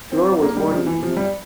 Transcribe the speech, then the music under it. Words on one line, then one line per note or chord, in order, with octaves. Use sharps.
Flor was born in Vienna.
C4
A#3
G3
G3
F3
E3
F3
G3